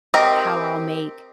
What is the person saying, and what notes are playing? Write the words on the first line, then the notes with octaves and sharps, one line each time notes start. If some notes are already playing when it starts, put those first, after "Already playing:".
how I'll make
C4 G4 A#4 D#5 G5